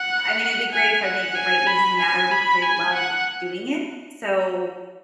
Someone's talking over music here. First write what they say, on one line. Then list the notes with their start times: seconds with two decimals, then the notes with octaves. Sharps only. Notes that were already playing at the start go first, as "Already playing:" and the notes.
I mean, it'd be great if I make it, right? But it doesn't matter because I love doing it. So,
Already playing: F#5
0.72 G#5
1.04 F#5
1.35 G#5
1.67 B5
2.00 G#5
2.31 B5
2.62 G#5
2.95 F#5